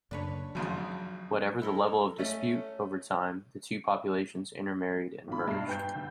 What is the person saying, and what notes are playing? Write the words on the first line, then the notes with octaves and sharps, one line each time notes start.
Whatever the level of dispute, over time, the two populations intermarried and merged.
F#2 C#3 A#3 D4 B4 C#5
G#1 F2 C#3 F#3
E4 A4 A#4
A3 C#4
G#1 B2 F5 B5
G2 C7
B4 G5 G6
D3